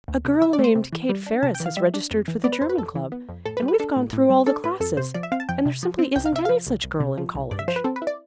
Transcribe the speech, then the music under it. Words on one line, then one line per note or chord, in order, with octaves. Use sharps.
"A girl named Kate Ferris has registered for the German Club, and we've gone through all the classes, and there simply isn't any such girl in college."
D2
C3
E3 E5
D5
A3
C5
C3
E3
G3
D4
C3 A5
G5
E3
F5
G3 E5
D4
F2
E3
B3 D5
B4
F2 C5
B4
F2 A4
E3
B3
F2
A2 A4
B4
G3
B4
D4 A4
A2
A2
G3
D4 A4
A2 B4
F2 A4
C3 C5
F3 D5
E5
C4 F5
A5
F2 G5
C3
F3
C4
C2 G5
F5
C3 E5
F3 F5
C2
C2
C3
F3
C2
G2 D5
E5
F3 C5
B4
C4 A4
B4
E4
D5